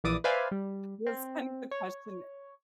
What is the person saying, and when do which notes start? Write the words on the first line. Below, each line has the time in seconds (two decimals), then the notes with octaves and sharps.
That's kind of the question
0.04 A#1 E3 D5 D6 D#6
0.24 B4 C5 D5 E5 F5 G#5
0.51 G3
1.07 C4
1.71 C#5